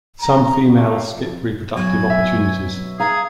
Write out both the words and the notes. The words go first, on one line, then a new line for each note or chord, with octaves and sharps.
Some females skip reproductive opportunities.
A#5
A3 A#3
F2
B2 F#3 G#5
E5
G#4 F5 A#5